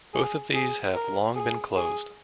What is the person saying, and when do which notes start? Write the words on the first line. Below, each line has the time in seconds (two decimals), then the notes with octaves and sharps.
Both of these have long been closed.
0.14 G#4
0.54 G#4
0.95 A#4
1.36 G#4
1.76 G#4